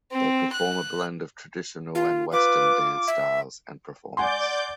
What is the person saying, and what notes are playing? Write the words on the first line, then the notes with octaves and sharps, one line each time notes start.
They perform a blend of traditional and Western dance styles and performance.
C4
F#6
F4
F4 B4 D6
E5
D5 F#5 G#5 C6 D6 G6